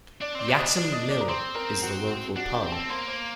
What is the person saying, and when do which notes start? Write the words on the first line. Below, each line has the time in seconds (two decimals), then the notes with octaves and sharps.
Yaxham Mill is the local pub.
0.21 D4 D5 D6
0.35 C4 D5 D6
0.48 D4
0.57 D#5 D#6
0.75 D5 D6
0.92 D#5 D#6
1.10 D5 D6
1.21 A#5
1.28 C4 C5 C6
1.55 A#4 A#5
1.82 F#4 F#5
2.36 D4 F#4 F#5
2.54 G4 G5
2.64 C4
2.72 A4 A5
2.90 A#3 C5 C6
3.08 C5 C6